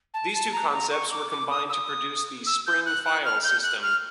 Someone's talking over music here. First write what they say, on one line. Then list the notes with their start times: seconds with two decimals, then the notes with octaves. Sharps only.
These two concepts were combined to produce the Spring file system.
0.14 A5
0.33 A5
0.52 A#5
0.72 A#5
0.91 C#6
1.11 D6
1.30 D6
1.49 D#6
1.69 E6
1.72 D#6
2.46 E6
2.66 G6
2.85 F#6
3.04 F#6
3.25 F6
3.43 G6
3.63 F#6
3.82 F6